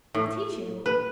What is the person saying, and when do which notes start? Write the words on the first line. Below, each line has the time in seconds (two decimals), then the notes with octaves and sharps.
"I'll teach you."
0.15 A2
0.86 B4